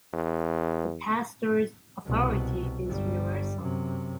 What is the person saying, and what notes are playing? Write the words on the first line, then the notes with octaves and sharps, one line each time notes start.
The "pastor's" authority is universal.
E2
C2 B2
G1 G3
F#2 C3